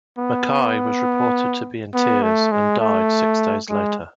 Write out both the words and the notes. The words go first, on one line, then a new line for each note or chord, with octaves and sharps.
Mackay was reported to be in tears, and died six days later.
B3
B3
A3
G#3
A3
G#3